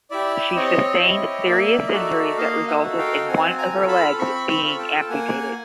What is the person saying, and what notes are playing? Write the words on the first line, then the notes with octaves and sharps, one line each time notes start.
She sustained serious injuries that resulted in one of her legs being amputated.
E4 G4 D5 E5
C4 C#5 D#5
E4 G4 C#5 D#5
A#3 D5 E5
D#5
D#4 F#4 A4 D5 E5
A#3 D#5 F5
E5 F#5
D#4 F#4 A4
F5 G5
C4 F#5 G#5
G#5 A#5
F4 A4
A5 B5
C4 B5 C#6
B5 C#6
F4 A4
G5 A5
A5
A#3 F#5 G#5